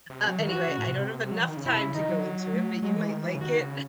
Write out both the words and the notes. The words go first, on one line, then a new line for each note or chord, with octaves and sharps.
Uh, anyway, I don't have enough time to go into it, but you might like it,
C3
F#3
D#3
E3 F#4
C#3
A2
C3
F#3
E3
D#3
C#3
C3 E4
C#3
D#3 D#4
F#3
A3
F#3 G#3
E3
D#3
E3
C#3
D#3 F#4
C#3